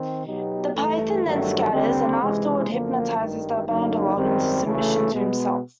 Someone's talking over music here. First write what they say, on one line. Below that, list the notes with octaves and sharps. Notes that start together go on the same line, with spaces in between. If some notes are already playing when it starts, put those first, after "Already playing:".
The python then scatters, and afterward hypnotises the Bandar-log into submission to himself.
Already playing: D#3 C4
B2 F#3 B3 D#4 G4
A1 G2 E3 A3
G1 G2 D#3 F#3 A3
D#2 D3 G3 C4
C#2 C3 E3 G#3
F#2 D3 F3 A#3
G#1 G2 D#3 G3
F#2 D3 F#3 A#3 D#4
G#1 F#2 D#3 G3 C4
D2 C#3 E3 A3
B2 G#3 B3